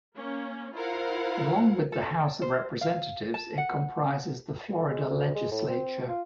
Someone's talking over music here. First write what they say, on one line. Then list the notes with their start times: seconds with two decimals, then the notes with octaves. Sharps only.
Along with the House of Representatives, it comprises the Florida Legislature.
0.15 A#3 C#4
0.76 E4 F4 A#4 C5 F5 F#5
1.92 A4
2.42 C5
2.81 F5
3.34 A5
3.58 F#5
4.76 A3
4.90 G#3
5.10 D2
5.35 G#3
5.51 A2
5.68 C4
6.09 F4